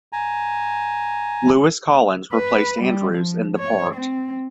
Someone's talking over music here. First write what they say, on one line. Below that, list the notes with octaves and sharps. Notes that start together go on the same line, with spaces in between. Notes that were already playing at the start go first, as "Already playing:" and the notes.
Lewis Collins replaced Andrews in the part.
G#5 A#5
B4
G3
F3
C#5
C4